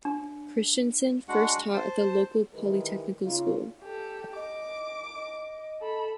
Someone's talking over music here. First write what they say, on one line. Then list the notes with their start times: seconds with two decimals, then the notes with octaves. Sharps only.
Christiansen first taught at the local polytechnical school.
0.05 D4
1.29 G#3 D4 F#4 F#5
1.74 C5 A5
2.54 D#3 E3 G#3 G4 A#4 B4
3.24 C#3 D#4 F4
3.82 G4 A4
4.36 D#5 D6
5.15 D#5
5.82 A4 B5